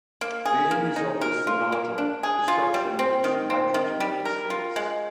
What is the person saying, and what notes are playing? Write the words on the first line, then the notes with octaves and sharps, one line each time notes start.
The end result is the nodule, the structure in which nitrogen is fixed.
A#3
G#4
A#3
D#4
A#4
F4
A#3
D4
G#4
F4
G3
C4
D#3
C4
D#3
G3
A#4
F4
G#3